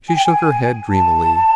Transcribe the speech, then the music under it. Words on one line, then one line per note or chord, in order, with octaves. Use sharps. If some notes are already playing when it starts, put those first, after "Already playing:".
She shook her head dreamily.
G#5
G5
G#5
A5